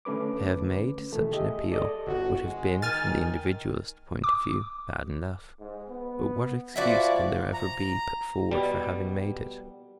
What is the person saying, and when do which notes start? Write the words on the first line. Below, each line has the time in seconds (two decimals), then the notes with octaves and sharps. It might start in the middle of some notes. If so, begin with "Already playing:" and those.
To have made such an appeal would have been from the individualist point of view bad enough, but what excuse can there ever be put forward for having made it?
0.05 D3 A3 C#4 B4 D6
1.12 B2 D#3 E3 A3 A4
1.32 G4 G#4 D#5 E5
1.71 A4 D5 D#5
2.07 G1 F#4
2.45 G#3
2.82 D#3 G#5 F6 A6
4.24 D6
5.59 G#2
5.89 B3
6.76 F3 E4 F#4 D5
7.54 A#5
8.51 B2 G3